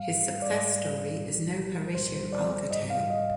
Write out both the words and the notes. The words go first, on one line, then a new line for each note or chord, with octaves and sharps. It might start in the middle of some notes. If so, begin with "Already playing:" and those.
His success story is no Horatio Alger tale.
Already playing: G#2 G3 F5
G#2 G3 D5
C2 A#2 G3
C2 A#2 G3 C5
D5
G#2 G3 D#5
F5
D#5